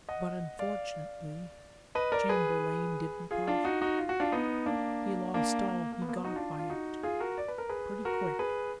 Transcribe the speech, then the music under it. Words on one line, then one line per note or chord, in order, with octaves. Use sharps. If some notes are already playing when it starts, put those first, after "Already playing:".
But, unfortunately, Chamberlayne didn't profit--he lost all he got by it, pretty quick.
D#5 F#5
D5 F5
B4 D#5
A#4 D5
G#4 B4
F4 G#4
D4 F4
D#4 F#4
D#4 F#4
F4
F#4
D4 F4
B3 D#4
A#3 D4
A#3 D4
A#3
A#3
B3
A#3
B3
D#4 F#4
D4 F4
F4
D#4 F#4
F4 G#4
F#4 A#4
D5
B4
A#4
G#4 B4
F#4 A#4
G#4 B4